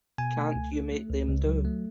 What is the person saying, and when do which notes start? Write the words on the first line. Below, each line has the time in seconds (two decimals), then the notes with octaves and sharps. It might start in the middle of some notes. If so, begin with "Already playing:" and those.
Can't you make them do?
0.18 B2 G#5
0.36 A3
0.55 C#2
0.73 A3
0.92 A3
1.10 C#2
1.29 C#2
1.47 F#3
1.65 A3